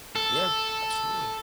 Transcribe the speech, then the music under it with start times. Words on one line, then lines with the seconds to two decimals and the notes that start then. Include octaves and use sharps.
Yeah, absolutely.
0.16 A4